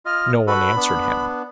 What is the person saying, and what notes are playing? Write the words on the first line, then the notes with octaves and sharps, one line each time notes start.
No one answered him.
F4 D#5 F6
F#4 A4 B4 B5
B3 D4